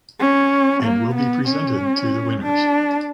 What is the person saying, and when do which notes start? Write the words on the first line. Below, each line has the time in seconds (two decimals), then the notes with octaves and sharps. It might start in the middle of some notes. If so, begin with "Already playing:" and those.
And will be presented to the winners.
0.20 C#4
0.83 A#3
1.15 B3
1.48 C#4
2.42 D4